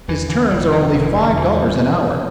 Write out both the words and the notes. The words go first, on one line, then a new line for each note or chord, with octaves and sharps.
His terms are only five dollars an hour.
E2 E3
D3 E3
E1 G3
C3 E3
E1
E3
E1 D3
E2 E3
D2 G3
C3 E3
C3